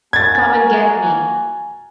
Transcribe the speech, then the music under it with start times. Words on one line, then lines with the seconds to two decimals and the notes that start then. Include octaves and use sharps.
Come and get me!
0.13 A#3 F#4 G#5 G#6 A6